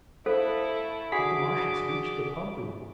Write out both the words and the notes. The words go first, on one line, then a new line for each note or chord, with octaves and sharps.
Did the Martian reach the pump room?
A3 E4 A4 C5 F5
D4 F#4 G#4 D6 B6